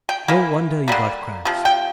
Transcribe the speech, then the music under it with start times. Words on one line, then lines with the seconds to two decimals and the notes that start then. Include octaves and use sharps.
"No wonder you got cramps."
0.09 G5
0.28 E3 A#3
0.88 D3 G3 A#3
1.45 C3 F3
1.65 G5